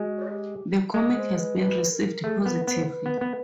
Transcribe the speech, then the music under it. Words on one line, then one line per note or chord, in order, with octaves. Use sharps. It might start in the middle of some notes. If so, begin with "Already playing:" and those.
The comic has been received positively.
Already playing: G#3 F#4
G4
G#3 A#4
C5
B4
B4
A#4
A3 G#4
A#4
B3
B4
B3
C5
B4
B3
B3 B4